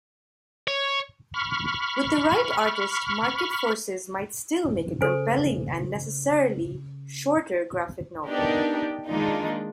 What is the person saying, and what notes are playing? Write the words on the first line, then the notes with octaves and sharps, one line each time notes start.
With the right artist, "Market Forces" might still make a compelling-and necessarily shorter-graphic novel.
C#5
B5 C#6 F6
C#3 A4 C5 G#5
B3 D4 D#4 G4 A#4
D#3 G#3 A#3 D4 D#4 F4